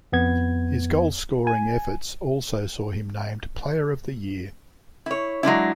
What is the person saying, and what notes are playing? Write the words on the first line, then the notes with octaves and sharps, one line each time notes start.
His goalscoring efforts also saw him named Player of the Year.
F2 B3 G#6
G#5
E4 C#5
F#3 G#3 D4 E4